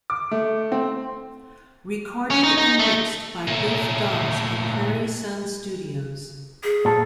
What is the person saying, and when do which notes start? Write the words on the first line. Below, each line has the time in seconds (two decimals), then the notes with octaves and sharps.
Recorded and mixed by Biff Dawes at Prairie Sun Studios.
0.10 D6
0.31 A3
0.72 C4
2.31 C#4
2.44 D#4
2.58 D#4
2.79 A3
3.48 A#2 A3
6.63 G#4
6.85 A#2 A4